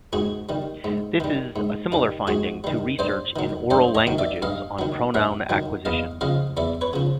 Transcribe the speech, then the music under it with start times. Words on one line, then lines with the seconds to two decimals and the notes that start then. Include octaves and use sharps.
This is a similar finding to research in oral languages on pronoun acquisition.
0.13 G#2 F#4 G#4
0.49 D#3 G3
0.84 G#2
1.20 D#3 G3
1.56 G#2
1.92 D#3 G3
2.27 G#2 F#4 G#4
2.64 D#3 G3
2.99 G2 C5 D5
3.36 D#3 F#3
3.70 G2 C5 D5
3.95 C#5 D#5
4.07 D#3 F#3
4.18 D5 E5
4.42 G2 D#5 F5
4.79 D#3 F#3
5.14 G2 E5 F#5
5.49 D#3 F#3
5.85 E2 D#5 F5
6.21 C#3 F3 D#5 F5
6.57 E2 D5 E5
6.81 B4 C#5
6.93 C#3 F3